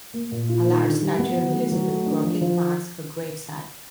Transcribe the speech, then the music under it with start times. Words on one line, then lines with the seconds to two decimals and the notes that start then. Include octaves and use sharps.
A large statue of Elizabeth Crockett marks her grave site.
0.13 A#3
0.31 A#2
0.49 F4
0.66 D#3
0.84 D3
1.01 G3
1.19 B3
1.37 F#3
1.54 A3
1.71 F#3
1.89 A3
2.06 D4
2.24 F3
2.41 F3